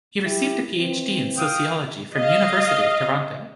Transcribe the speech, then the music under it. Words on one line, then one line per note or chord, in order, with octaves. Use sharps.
He received a Ph.D in sociology from University of Toronto.
E4 G4
E3 C4
F5 G5 D#6
D#5 F5